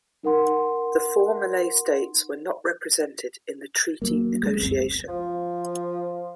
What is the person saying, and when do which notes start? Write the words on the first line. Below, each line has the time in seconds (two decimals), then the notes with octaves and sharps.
The four Malay states were not represented in the treaty negotiation.
0.23 D#4 A#4 F#5 C6
4.02 F#3 A#3
4.43 G#3
4.58 F#1 C#2 C4
5.08 F3